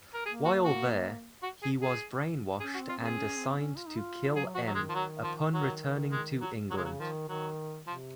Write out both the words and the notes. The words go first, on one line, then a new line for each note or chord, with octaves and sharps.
While there, he was brainwashed and assigned to kill M upon returning to England.
A#4
A#3 G#4
F#4
F#4
F#4
G#4
G#4
C#4 G#4
F#4
C4
F4
C4
G#4
C#4
C4
C#4
F4
D#4
F4
F#3 G#4
F3 F#4
F#3
D#3 G#3
F3
F#3
F3
D#3 F#3
G#3
F#3
C#3 F#3
G#3
F#3
D#3 F3
D#3 F#3
C3 F3